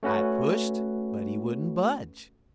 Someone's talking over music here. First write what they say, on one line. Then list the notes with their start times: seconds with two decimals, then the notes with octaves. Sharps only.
I pushed, but he wouldn't budge.
0.03 A3 C#4 F#4 B4